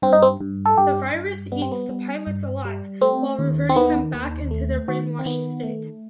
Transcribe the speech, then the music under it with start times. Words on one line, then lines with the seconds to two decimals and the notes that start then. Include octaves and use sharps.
The virus eats the Pilots alive while reverting them back into their brainwashed state.
0.02 G2 C4
0.13 D#4
0.22 C4
0.40 G2
0.66 A4
0.77 G2 G4
1.14 G2
1.52 G3 B3
1.62 C4
1.72 B3
1.89 G3
2.27 G2
2.65 G3
3.01 A3 C4
3.39 D#2
3.69 C4
3.76 D#3 B3
4.14 D#2
4.51 A3
4.88 D#3 F#4
5.19 C4
5.26 D#3 B3
5.63 A3